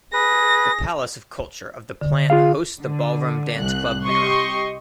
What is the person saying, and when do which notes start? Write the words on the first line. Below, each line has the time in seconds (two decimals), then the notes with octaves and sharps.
The Palace of Culture of the plant hosts the ballroom Dance Club Mara.
0.14 G#4 B4 A#6
2.01 D3
2.30 F4 G#4 F5
2.80 D3
3.58 C2 F#6
4.04 G4 D#5 C6 C#6